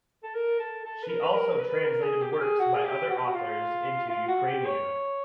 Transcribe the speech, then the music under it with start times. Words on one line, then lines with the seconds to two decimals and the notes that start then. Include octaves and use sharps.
She also translated works by other authors into Ukrainian.
0.23 A4
0.35 A#4
0.59 A4
0.85 A4
1.03 B4
1.09 A#4
1.23 B4
1.34 A#4
1.59 B4
1.84 A#4
2.03 G#4
2.21 G4
2.32 G4
2.41 G#4
2.59 F#4
2.75 G#4
2.85 G4
3.09 F#4
3.16 G4
3.25 F#4
3.35 F4
4.10 F4
4.28 F#4
4.47 G4
4.66 C#5